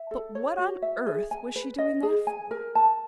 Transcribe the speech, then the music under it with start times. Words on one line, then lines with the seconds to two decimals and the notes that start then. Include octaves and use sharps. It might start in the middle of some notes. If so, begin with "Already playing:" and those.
But what on earth was she doing that for?
Already playing: E5
0.11 A4
0.35 C#5
0.58 F#4
0.82 E5
1.06 G#4
1.31 G#5
1.56 B4
1.78 D#5
2.03 G#4
2.27 G#5
2.51 A#4
2.75 A5